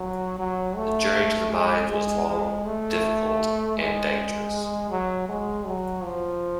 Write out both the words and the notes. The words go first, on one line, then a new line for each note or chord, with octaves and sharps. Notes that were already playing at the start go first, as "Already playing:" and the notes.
The journey to the mines was long, difficult and dangerous.
Already playing: F#3
F#3
A3
G#3
G#3
G#3
A3
G#3
F#3
G#3
F#3
F3